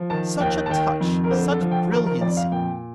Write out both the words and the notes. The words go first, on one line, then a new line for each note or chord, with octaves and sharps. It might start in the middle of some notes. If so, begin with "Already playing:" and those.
Such a touch, such brilliancy!
Already playing: F3
D#3 A5
D#2 G5
A5
D#3 G5
F2
A#4
D3 C5
A4
F3
G5
D#3 A#4
A#4
F2 D5
F5
A#2 G5